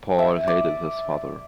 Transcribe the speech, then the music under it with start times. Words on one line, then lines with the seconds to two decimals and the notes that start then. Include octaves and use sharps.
Paul hated his father.
0.19 E5
0.48 D5